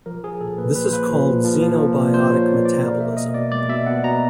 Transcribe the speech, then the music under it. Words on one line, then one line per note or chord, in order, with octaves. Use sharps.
This is called xenobiotic metabolism.
F3 A#4
F3 G#4
A#2 A4
A#3 B4
F3 B4
C5
A#3 B4
F3
A#2
F3
F3
A#3
A#2
F3 C5
A#2 C#5
A#2 D5
A#3 D5
B2 A#4
B2 E5
B2 D#5
B2 D5
G#3 D5
B2 E5
B2 F#5
B2 A#5